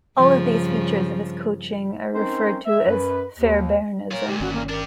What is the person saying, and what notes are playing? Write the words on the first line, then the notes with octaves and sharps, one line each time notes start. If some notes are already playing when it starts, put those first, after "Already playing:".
All of these features of his coaching are referred to as "Fairbairnism".
G2 C#3 F3
C4 C#4 D#4 A#4 C5
E5
F#2 B4
D#2
F4 A#4 C#5
D2 A#2 G4
G1 D#3 C#4 F#4
A#3
D4 G4 A#4